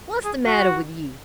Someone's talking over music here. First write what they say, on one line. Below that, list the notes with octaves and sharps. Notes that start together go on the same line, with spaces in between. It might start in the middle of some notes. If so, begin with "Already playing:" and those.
What's the matter with you?
G#4
F#4